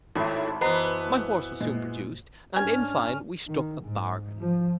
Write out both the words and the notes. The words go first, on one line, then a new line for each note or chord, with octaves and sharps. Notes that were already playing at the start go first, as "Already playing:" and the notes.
My horse was soon produced, and in fine we struck a bargain.
G#1 A2 E5 A5 B5 C6
F#2 E3 B3 B4 C5 D#5
A#2 G#3
G#2 C#4 D4 G#5 F6
D#3
G#2
F3